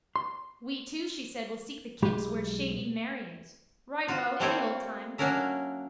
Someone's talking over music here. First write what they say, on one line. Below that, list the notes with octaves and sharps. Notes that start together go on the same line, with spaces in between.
We two, she said, will seek the kips where shady Mary is. Righto, any old time.
C6
B1 G#3 G4 B5
F4 F#4
G3 A3 A#3 C4 G4 C#5
F#3 A#3 C#4 D4 A#4 E5